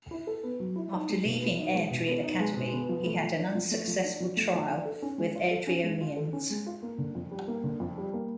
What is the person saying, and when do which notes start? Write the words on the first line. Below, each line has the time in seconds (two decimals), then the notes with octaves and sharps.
After leaving Airdrie Academy he had an unsuccessful trial with Airdrieonians.
0.11 E4
0.27 A4
0.43 B3
0.60 F#3
0.76 E4
0.93 D#4
1.10 G#3
1.25 B2
1.42 B3
1.58 D#4
1.74 G#3
1.91 B2
2.07 B3
2.24 D#4
2.39 G#3
2.56 B2
2.73 B3
2.89 F3
3.06 A3
3.22 F3
3.39 D4
3.55 F3
3.71 A3
3.88 F3
4.04 D4
4.20 F3
4.37 A3
4.53 F3
4.69 D4
4.85 A4
5.02 C#4
5.18 G#3
5.35 F4
5.51 A4
5.67 C#4
5.83 G#3
6.01 F4
6.16 A4
6.33 C#4
6.50 G#3
6.66 F4
6.83 A#3
6.98 D3
7.15 F2
7.31 G3
7.48 A#3
7.64 D3
7.80 F2
7.98 G3
8.13 A#3